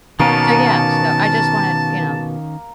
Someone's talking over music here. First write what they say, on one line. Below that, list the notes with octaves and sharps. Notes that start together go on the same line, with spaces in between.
so yeah, so, I just wanna, you know,
B2 D#3 A#3 C#4 G#5 A5